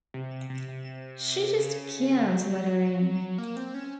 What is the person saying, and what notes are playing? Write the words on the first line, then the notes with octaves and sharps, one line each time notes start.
She just can't let her in.
C3
C3
C3
C#3
F#3
F#3
A#3
C4
C#4